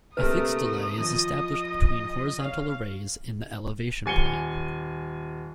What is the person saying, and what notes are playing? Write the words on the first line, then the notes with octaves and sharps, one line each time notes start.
A fixed delay is established between horizontal arrays in the elevation plane.
A#1 C3 A3 A#4 B4 D#6
F3 D#5
C#5 F5
D#1 G#5 C#7 G7